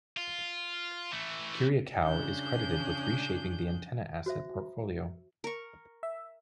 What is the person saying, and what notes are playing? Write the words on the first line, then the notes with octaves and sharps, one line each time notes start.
Kyriakou is credited with reshaping the Antenna asset portfolio.
F4
E3 A3
C#3 D4 G#4 G6
F#4 C5 E5
A#4 C#6
E5